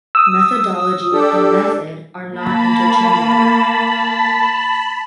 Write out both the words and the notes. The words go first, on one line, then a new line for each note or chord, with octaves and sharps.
"Methodology" and "method" are not interchangeable.
D#6 E6
D4 G4 A4
A#3 A5 B5